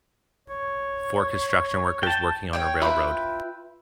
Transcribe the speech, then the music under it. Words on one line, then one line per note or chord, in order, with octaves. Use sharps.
Four construction workers working on a railroad.
C#5
G5 A5
C#5 D5 G5
E4 F4 B4 G5 B5